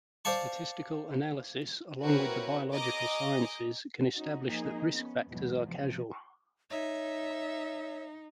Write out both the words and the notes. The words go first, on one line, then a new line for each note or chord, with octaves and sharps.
Statistical analysis along with the biological sciences can establish that risk factors are causal.
C5 D5 F5 A5 C#6
C4 E4 F#4 A#4 B4 C#5
G#4 D#5 A#5 D6 D#6
C#4 D#4 F#4
F3 A#3 C4 D#4 G#4
B3 C#4
E2 G#2 B2 E3 F#3
C3 F3
D#4 C#5 E5